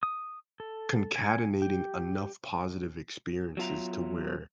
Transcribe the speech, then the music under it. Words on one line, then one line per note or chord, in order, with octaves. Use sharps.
concatenating enough positive experiences to where
D#6
A4
G#5
G4
F#3 B3 F4 E5 A#5